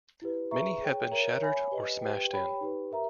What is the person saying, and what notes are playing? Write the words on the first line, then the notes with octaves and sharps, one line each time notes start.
Many have been shattered or smashed in.
E4 G4 B4
G#4 B4 E5 A#5 C#6
G#4 C#5 G5
A#4 C#5 E5 A#5
C#5 E5 G#5 B5
G4 B4 D#5
G4 B4 G5
G4 C#5 G5 B5
D#4 G4 B4
G4 A#4 E5 A#5